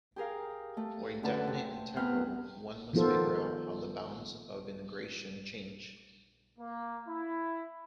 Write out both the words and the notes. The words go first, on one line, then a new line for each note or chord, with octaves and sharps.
For a definite integral, one must figure out how the bounds of integration change.
G4 G#4 A#4 F5
A3
F#2 D3 A3 B4 A5
C3
E2 B3 C4 B4 F6
D#3 F3 B3 F4 A4 C5
A#3
E4